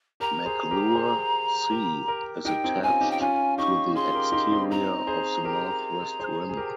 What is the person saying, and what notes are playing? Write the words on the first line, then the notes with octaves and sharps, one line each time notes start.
McClure C is attached to the exterior of the northwest rim.
G4 A#4 A#5
G#4 C5
G4 A#4
G#4 C5
G4 A#4
G4 A#4
D#4 G4 G5
C4 D#4
C#4 F4 G#5
D#4 G4
G5
C#4 F4 G#5
D#4 G4 C#6
F4 G#4 C6
G4 A#4
D#4 G4
C4 D#4
C4 D#4 A#5
G#4 C5
G4 A#4
G#4 C5
G#4
G4 A#4